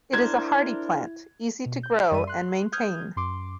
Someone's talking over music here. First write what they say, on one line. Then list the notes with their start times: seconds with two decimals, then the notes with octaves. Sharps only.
It is a hardy plant, easy to grow and maintain.
0.13 D4 E4 A#4 C5 G#6
1.66 B2
1.83 G6
2.11 F#2 G3 A#4 D5 E5 D#7
2.27 C6 F#6
2.73 D#6 F6 G6 G#6
3.16 F#2 C6 D6